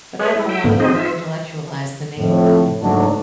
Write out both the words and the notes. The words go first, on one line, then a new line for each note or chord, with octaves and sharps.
But I don't want to over-intellectualize the name thing.
G#4 B4 C#5
E4
E5 G5
G#2 D3 A#3 B3
C4 D#4 G#4 C5 D#5
F4 E5
F2 A2
F#1 G#2 D3 F#3 A3 D4